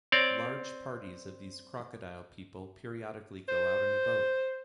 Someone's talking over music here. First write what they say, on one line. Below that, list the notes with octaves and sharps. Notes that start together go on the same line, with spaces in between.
Large parties of these crocodile people periodically go out in a boat.
C4 C#5 D5
C5